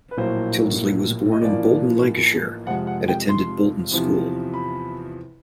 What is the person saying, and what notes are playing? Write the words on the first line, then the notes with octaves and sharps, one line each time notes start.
Tyldesley was born in Bolton, Lancashire and attended Bolton School.
B4
A#1 A2 F#3 A#3 C5
D#5
A1 A2 F3 A#3 D5
F2 C3 F3 G#3 F#5
F#5
G5
C6
E2 C3 F3
B5